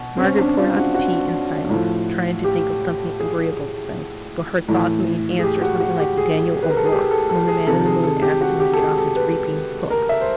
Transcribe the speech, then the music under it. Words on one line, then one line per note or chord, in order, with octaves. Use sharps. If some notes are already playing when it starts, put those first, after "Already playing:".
Margaret poured out the tea in silence, trying to think of something agreeable to say; but her thoughts made answer something like Daniel O'Rourke, when the man-in-the-moon asked him to get off his reaping-hook.
Already playing: B2
C4
C#4
D4
F4
F#4
F#4
A2 F3
G4
G#4
A2 E3
G#4
G4
F#4
F#4
G4
G#4
B4
A#4
A4
G#4
G4
A4
A4
G#4
C3 D#3 A4
G#4
A4
G4
F#4
G4
A4
G#4
A4
B4
A#4
E5
C5